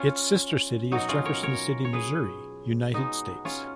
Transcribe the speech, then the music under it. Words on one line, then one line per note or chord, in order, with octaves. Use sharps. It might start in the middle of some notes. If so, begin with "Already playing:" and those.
Its sister city is Jefferson City, Missouri, United States.
Already playing: C#4 F4
B2 F#3 D#4 F#4
C#4 F4
A#4 C#5
A#4 C#5
C#5
G#4 B4
B2 G#3 B3 D#4
C#4 F4